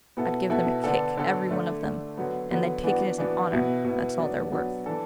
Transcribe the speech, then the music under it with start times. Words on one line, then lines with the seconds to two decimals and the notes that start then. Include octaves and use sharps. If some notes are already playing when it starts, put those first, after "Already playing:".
"I'd give them a kick, every one of them, and they'd take it as an honor--that's all they're worth!"
0.17 B2 B3 E4 A4
0.50 B2 B3 E4 A4
0.84 D3 B3 D4 A4
1.17 D3 B3 D4 A4
1.50 D3 A3 D4
1.83 D3 A3 D4
2.17 D3 F#3 B3
2.51 D3 F#3 B3
2.84 E3 B3 D4 F#4
3.18 E3 B3 D4 F#4
3.51 B2 B3 E4
3.84 B2 B3 E4
4.18 F#3 B3 D4
4.52 F#3 B3 D4
4.86 E3 D4 A4